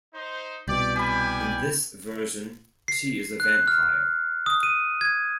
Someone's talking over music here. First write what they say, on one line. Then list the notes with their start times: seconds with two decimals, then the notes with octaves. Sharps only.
In this version she is a vampire.
0.14 D#4 C5
0.68 C2 B2 G4 D5
0.96 D#3 G4 D5 G#5 B5
2.88 C7
3.40 F#6
3.68 F6
4.46 D#6
4.63 D#7
5.01 G#6